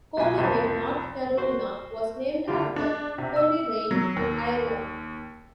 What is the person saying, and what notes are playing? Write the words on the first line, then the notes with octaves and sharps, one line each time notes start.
Colerain, North Carolina, was named after Coleraine in Ireland.
B1 G#5
C2 F2
F#4 C5
D3 E4 F4 G4
D4
C3
E6
F#3
D#2